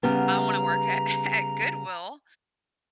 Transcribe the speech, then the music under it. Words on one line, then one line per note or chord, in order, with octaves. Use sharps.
I wanna work at at Goodwill,
C#3 G3 B3 A#5